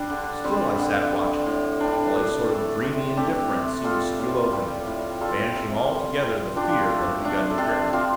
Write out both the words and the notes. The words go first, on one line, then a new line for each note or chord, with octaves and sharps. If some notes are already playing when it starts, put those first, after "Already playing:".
Still, I sat watching; while a sort of dreamy indifference seemed to steal over me; banishing altogether the fear that had begun to grip me.
Already playing: G3 D4
D3
G3 C4
D3
G3
A2
G3 D4
A2
A3
C3
A3 D4 G4
C3
G3 F4 A4
A2
G3
A2
G3 F4 A4
C3
G3
C3
F3 D4 G4
A3
C3 D4
A4
C3 D4 G4
F3 C4 F4